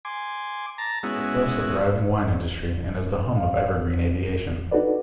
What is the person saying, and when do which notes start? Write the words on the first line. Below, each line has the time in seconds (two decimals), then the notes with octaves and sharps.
It boasts a thriving wine industry and is the home of Evergreen Aviation.
0.05 G#5 C6 D6
0.78 A5 A#5
1.03 G#3 B3 C#4 E4 F#4
3.36 F5
3.77 E2
4.71 D4 D#4 F#4 A4 B4 D5